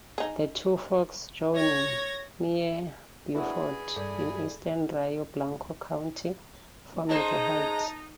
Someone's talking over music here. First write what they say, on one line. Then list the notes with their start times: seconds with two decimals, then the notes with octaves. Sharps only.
The two forks join near Buford in eastern Rio Blanco County, forming the White.
0.18 D#4 G#4
1.56 C#5 G#6 A#6
3.34 D4 E4 F#4 G#4 B4 B5
3.96 G2 A4 D5
7.09 G#3 D#4 C5 D#5 A5 A#5